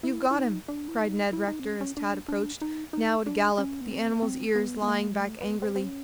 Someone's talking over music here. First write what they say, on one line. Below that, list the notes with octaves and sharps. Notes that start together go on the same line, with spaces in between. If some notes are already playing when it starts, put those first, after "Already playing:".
"You've got him!" cried Ned Rector as Tad approached, now at a gallop, the animal's ears lying back angrily.
E4
E4
D#4
D4
E4
D#4
E4
D#4
C4
C#4
C#4
D4
D4
D#4
D#4
D4
C#4
B3
C4
C4
B3
B3
A#3
G#3
A3
B3
C4
C4
C#4